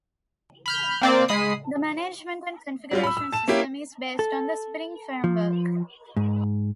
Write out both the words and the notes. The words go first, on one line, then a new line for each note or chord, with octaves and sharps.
The management and configuration system is based on the Spring Framework.
B5 F6 G6
A#3 C4 D5
G#3 B5 D#6 C7
F#3 G3 F4
B5 E6
E6
A5 E7
A#3 C#4 E4 G4
A4
F3
G#2